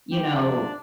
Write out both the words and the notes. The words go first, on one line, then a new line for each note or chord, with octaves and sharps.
you know,
G4 G5
F2 C3 F3 D4 D5